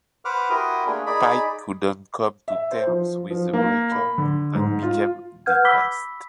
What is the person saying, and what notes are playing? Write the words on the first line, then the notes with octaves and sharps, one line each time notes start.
Pike couldn't come to terms with the break-up and became depressed.
B4 C5 F#5 D6 F6
E4 F#4 G4 A#4 C6 D#6
A3 A#3 D4 G#4
D#4 G#4 D5 B5
E5
C5
F3
F3
A#3
B5
D3
G#2
F4
B4 F#5 F6 G6 G#6
B5 D6 E6 B6 G7